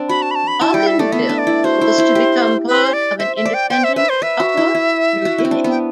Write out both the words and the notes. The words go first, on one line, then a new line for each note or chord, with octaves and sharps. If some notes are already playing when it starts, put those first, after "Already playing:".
Bougainville was to become part of an independent Papua New Guinea.
Already playing: C4 D4
F#4 B5
A5
B5
A5
B5
E4 A5
G3 G5
E5
A3 D5
B3 E5
D4
D5
E4
F#4 C5
E4
E4
G4
B4
C5
D5
C5 E5
E5
D5
G5
C5 G5
E5
B4 E5
C5
B4 E5
F#4
E4
E4
F#4
E4
C4
D4
B3
G5